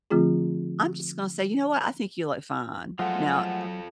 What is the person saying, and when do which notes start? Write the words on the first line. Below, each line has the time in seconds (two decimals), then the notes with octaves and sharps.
I'm just gonna say, "You know what? I think you look fine." Now,
0.11 D3 F3 A3 C4 F4 G#4
2.99 F3 F#3 G#3 A3 F4 A4 F#5